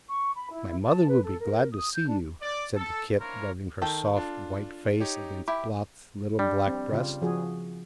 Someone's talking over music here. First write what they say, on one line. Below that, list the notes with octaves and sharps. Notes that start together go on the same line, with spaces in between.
My mother will be glad to see you,' said the kit rubbing her soft white face against Blot's little black breast.
C#6
B5
E4
A5
B4
A4
A#4
D#6
G6
D4
D5
A4
D4 E4 F4 A#4 C5 C#5
D#3 A4 G5
D4 F4 A5
D#4 G4 C#5
E4 G4 B5
G3 D4
C4
C#3 F4
F3 F#4 G#4